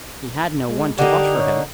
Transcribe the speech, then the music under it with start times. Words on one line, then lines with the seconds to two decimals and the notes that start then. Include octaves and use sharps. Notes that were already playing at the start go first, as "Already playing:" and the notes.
He had no one to wash for him.
0.69 G#3
0.99 D3 A#3 D#4 G4
1.38 C#5